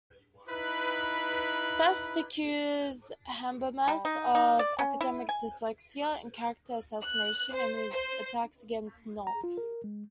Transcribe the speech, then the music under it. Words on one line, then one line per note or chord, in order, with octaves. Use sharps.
Fest accused Habermas of "academic dyslexia" and "character assassination" in his attacks against Nolte.
D#4 E4 B4
G3
D#4
D#4
D5
C#4
E4
G#5
F#6
C5
C5
A#5
F4
A#4
G#3